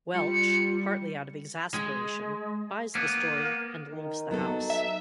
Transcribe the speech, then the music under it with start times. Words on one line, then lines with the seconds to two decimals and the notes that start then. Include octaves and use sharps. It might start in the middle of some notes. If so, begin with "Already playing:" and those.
Welch, partly out of exasperation, buys the story and leaves the house.
0.14 G3 F4 C#7
1.74 G#3
2.95 A#3 B3
3.93 D#3
4.31 F#3 B3 D#4 A4
4.70 E5